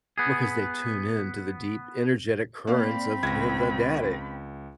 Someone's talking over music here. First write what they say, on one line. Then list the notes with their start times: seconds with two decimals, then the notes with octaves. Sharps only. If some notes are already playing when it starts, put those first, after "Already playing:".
Because they tune in to the deep energetic currents of the the daddy
0.18 B3 G#4
2.67 A#3 C4 D5 F5 B5
3.23 C#2 G#6 A#6